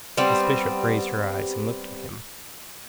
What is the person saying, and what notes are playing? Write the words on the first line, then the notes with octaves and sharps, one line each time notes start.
Miss Bishop raised her eyes, and looked at him.
G3 B3 C4